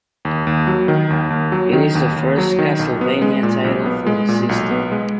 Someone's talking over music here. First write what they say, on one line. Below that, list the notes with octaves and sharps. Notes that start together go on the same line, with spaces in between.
It is the first "Castlevania" title for the system.
D#2
D#2
F#3
D#3
D#2
D#2
F#3
D#3
D#2
D#2
F#3
D#3
B1
B3
G#3
A#2
B1
B3
G#3
A#2
B1
B3
G#3